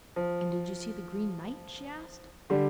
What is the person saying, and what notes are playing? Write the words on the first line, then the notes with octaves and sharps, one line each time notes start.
'And did you see the Green Knight?' she asked.
F3
D3 G3